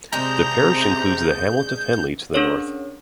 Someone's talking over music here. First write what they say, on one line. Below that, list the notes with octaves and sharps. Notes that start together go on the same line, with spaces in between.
The parish includes the hamlet of Henley to the north.
C3 G#3 C4 D4 A#5 G6
C#4 D4 G#4 A#4 C#5